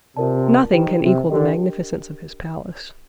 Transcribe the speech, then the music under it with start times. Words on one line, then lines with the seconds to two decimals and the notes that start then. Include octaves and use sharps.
Nothing can equal the magnificence of his palace.
0.16 C3 F4 A#4 D5 A5
0.72 D#3 G4 C5 G5
1.01 C3
1.29 D3 D4 G4 A#4 D#5 G5